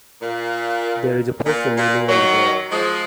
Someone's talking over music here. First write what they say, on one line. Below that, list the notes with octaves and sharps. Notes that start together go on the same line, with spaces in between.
There is a person kneeling on the ground.
A#2
A#2
A#2
D#3 F#3
F3 G#3